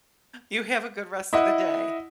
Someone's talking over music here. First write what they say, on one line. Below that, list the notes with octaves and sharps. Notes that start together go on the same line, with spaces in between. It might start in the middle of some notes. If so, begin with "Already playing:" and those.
You have a good rest of the day.
E4 D#5 F#5